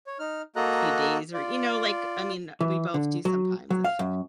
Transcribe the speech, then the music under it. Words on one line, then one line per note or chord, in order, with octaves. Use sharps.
few days or you know, like, I mean, we both do sometimes if
C#5
D#4 F6
A#3 F#4 A4 D#5 A#5 F#6
F4 D5
E3
D3
F#3
F#3
F5
F#2